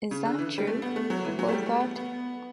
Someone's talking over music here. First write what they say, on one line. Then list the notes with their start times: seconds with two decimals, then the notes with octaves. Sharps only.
Is that true? - the boy thought.
0.11 C#3
0.25 D3
0.39 E3
0.58 G3
0.67 A3
0.82 B3
0.96 A3
1.10 F#3
1.25 E3
1.39 F#3
1.48 A3
1.52 G3
1.66 A3
1.80 B3
1.96 B3